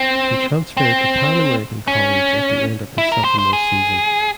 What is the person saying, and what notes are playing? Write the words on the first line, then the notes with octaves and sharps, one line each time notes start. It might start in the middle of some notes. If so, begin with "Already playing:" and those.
He transferred to Pan American College at the end of his sophomore season.
Already playing: C4
C4
C#4
E4
A#4
C5
C5
G#4